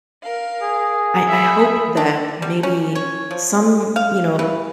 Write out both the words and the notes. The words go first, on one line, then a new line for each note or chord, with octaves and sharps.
I I hope that maybe some, you know,
A#4 F5
G#4
E5 G#5 B5
D4
G3
C#4
C#5
F3
F5
E3